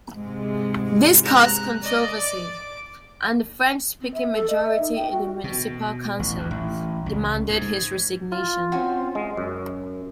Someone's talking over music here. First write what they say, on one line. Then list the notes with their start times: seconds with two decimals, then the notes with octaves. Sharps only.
This caused controversy, and the French-speaking majority in the municipal council demanded his resignation.
0.16 G#2 C3 G#3
1.23 A#5 F#6
1.84 D5 D#5
2.17 D6
4.01 C4
4.14 E5
4.33 A4
4.50 D#5
4.64 E5
4.79 D#4
4.96 G5
5.12 F#4
5.44 B2
6.19 A1
6.38 D#2
6.51 A1
7.06 C#2
7.49 G#2
8.32 F4
8.72 C4 C#4 F#4 G#5
9.15 G#3
9.37 F#2